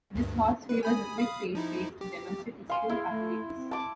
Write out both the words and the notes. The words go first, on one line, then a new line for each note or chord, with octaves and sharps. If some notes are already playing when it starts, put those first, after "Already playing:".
This horse favors a quick pace race to demonstrate its full abilities.
D2 G2
B4
G#5 B5 D#6
F5 B5 D#6
F3 D#4 E4
G4
F5 G#5 C6
E4 G#4
A3
C4
A5 D6